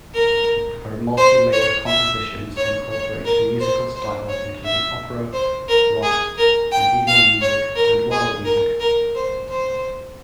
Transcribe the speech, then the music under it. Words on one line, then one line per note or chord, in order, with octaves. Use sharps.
Her multi-layered compositions incorporate musical styles including opera, rock, Medieval music, and world music.
A#4
C5
C#5
E5
C#5
C#5
A#4
C5
C5
C#5
E5
C5
A#4
G#4
A#4
G5
F5
C#5
A#4
G#4
A#4
A#4
C5
C5